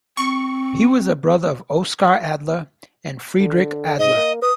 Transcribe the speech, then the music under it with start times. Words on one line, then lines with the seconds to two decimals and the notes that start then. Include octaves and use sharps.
He was a brother of Oskar Adler and Friedrich Adler.
0.17 C4 C#6
3.40 D3
3.99 G#2 D#5
4.17 A#3
4.42 B4 D#6